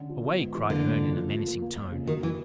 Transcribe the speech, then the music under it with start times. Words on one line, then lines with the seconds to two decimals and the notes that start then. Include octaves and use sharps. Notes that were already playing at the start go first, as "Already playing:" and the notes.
"Away!" cried Herne in a menacing tone.
Already playing: D3 C#4
0.09 F3
0.24 B3
0.39 G#2
0.55 E3
0.70 D3 A#3
0.86 F2
1.00 C#3
1.16 F4
1.31 F3
1.46 A#3
1.62 A#3
1.77 F2
1.92 C#3
2.07 D#3 F#3
2.23 E3 F#3